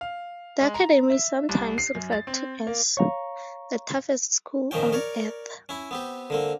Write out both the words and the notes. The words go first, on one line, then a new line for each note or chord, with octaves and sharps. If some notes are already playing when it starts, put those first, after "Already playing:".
The Academy is sometimes referred to as "The toughest school on earth".
F5
G#3
A#5
E5
C2
C7
F#2
A6
C4
A#3
C#5 F5 A#5 C#6
A#2 D#3 F3 C#4 G5
A#4 C#5 D5
C#4 E4
B3 C4 G4
D3 A#3 C4